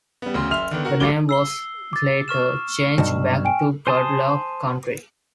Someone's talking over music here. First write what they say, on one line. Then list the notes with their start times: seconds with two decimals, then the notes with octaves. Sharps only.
The name was later changed back to Guadalupe County.
0.22 G3 B3
0.34 D2 C#3 C6
0.50 F#1 E5 C6 F6 F7
0.71 D3 D#3 B3
0.85 F#4 A#4 F#5
1.00 G1 F#3 G3 A3 D6 G7
1.29 E6 C7 G7
1.93 D6 A6
2.28 C#6 F6 E7
2.98 B1 G2
3.45 G5 G#5 D7
3.87 C5 G#5 A5 C6 D#6